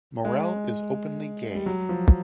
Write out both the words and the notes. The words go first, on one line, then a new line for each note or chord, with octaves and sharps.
Morel is openly gay.
G#3
G3
F#3
F3